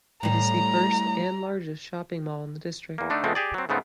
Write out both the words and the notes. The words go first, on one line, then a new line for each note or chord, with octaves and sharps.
It is the first and largest shopping mall in the district.
A2 G3 A#5
E2 A#3
D3 A3 D4 D#4
C#2 F3 G#3 A3 B3 C4
G4 G#4 D5
F#3 C4
G#2 C#3 A3 B3 C4